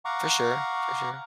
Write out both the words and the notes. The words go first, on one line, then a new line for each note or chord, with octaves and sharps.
For sure, for sure.
F5 F#5 A#5 C#6 D6